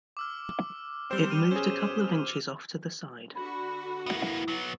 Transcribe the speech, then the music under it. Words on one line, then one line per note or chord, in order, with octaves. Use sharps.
It moved a couple of inches off to the side.
D6 E6 F6
G3 C4 C5 E7 G7
F6 D#7 F7
B2 C#4 G4 G#4 C5
D3 F#4 B5
A#3 B3 E4
F#3 B3